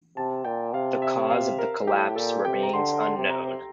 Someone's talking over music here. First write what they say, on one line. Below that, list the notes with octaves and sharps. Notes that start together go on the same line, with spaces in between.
The cause of the collapse remains unknown.
C3 A5
A#2 G5
C3 F5
E5
F5
A#4
A2 G4
A#2 A4
C3 G5
A#5
D3 C6
C6
C3
A#5